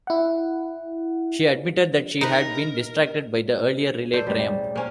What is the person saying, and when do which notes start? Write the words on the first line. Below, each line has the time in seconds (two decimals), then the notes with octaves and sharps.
She admitted that she had been distracted by the earlier relay triumph.
0.07 E4 F#5
2.21 D#4 A#4 B4
4.13 A4 C5 D5
4.27 E1 A1 G3
4.75 A#3 C#4 C5 G#5